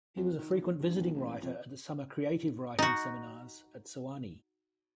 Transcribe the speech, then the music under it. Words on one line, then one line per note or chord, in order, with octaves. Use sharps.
He was a frequent visiting writer at the summer creative writing seminars at Sewanee.
F2
D#3
B1
G2
B1
A1
F2
D#4 F#4